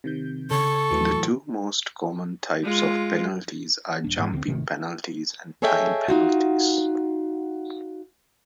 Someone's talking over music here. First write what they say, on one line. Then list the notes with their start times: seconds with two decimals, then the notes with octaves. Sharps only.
The two most common types of penalties are jumping penalties and time penalties.
0.04 C3 D#3 G6
0.51 C#3 A4 C#6
0.91 D#2 A2 E3 F#3
2.63 G#3 F4
4.04 D#1 D4
4.18 G#2 G#3
4.32 D2 D3 F#3 C4
4.47 G#1 C3 D#3 A3
5.62 G#4 A4 C#5 D#5 E5 G5
6.08 D#4 F4 F#4